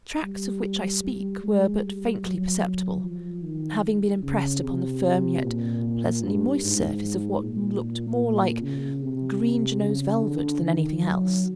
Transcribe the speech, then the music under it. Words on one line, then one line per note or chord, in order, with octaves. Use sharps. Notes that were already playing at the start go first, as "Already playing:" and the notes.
The tracks of which I speak were but faintly perceptible--having been impressed upon the firm, yet pleasantly moist surface of--what looked more like green Genoese velvet than any thing else.
G3
G3
G#3
G3
F#3
F3
D#3
C#3
C3
A#2
G2
G#2
A#2
C#3
C3
C#3
D3
D#3
F#3